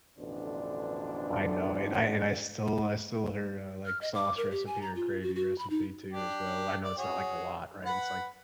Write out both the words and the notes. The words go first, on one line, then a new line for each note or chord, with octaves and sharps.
I know. And I and I stole I stole her, uh, like, sauce recipe or gravy recipe, too, as well. I know it's not, like, a lot, right? It's like
A1 F2 B2 D3 D4 C5
F6
D#5
D6
A#4
G4
G#5
A#5
F4
F#4
F#4
B5
D#4
D4 G4
D5
F#4 G#4 C#5
B4 F#5 B5